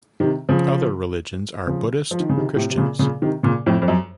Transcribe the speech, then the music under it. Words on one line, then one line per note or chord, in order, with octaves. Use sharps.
Other religions are Buddhist, Christians.
C3 D#3
C#3 F3
C#3 F3
F3
D#3
C#3
C3 D#3
A2 C3
C3
A#2 C#3
A#2 C#3
C3 D#3
A#2 C#3
F2 A2
F2
F#2